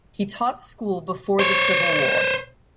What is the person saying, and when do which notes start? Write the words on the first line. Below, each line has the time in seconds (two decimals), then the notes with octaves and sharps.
He taught school before the Civil War.
1.39 C5 C#5